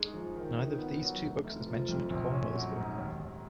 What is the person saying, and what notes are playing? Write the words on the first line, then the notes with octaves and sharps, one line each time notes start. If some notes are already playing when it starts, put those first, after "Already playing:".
Neither of these two books is mentioned in Cornwell's book.
Already playing: F#2 G#3 D#4
F3
D#3
D#4
B3
F#3
F1
F1
F3
F2
A#1
C#4
F#3
G#2
D#2
D#2